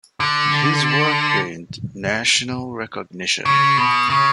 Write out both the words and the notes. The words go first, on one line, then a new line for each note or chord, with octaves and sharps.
His work gained national recognition.
D3
C#3
B2
C#3